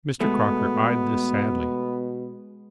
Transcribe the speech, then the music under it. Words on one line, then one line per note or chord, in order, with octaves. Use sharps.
Mr. Crocker eyed this sadly.
B2 G#3 A3 B3